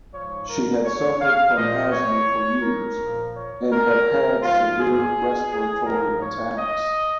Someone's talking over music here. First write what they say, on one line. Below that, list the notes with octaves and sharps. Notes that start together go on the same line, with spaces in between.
She had suffered from asthma for years and had had severe respiratory attacks.
G#2 F3 C#5
A#4
C#5
F5
A#2 F3 D#5
C#5
A#4
A#2 F3
C#5
A#4
G#2 F3 F4
G#4
G#4
G#2 F3 A#4
C#5
D#5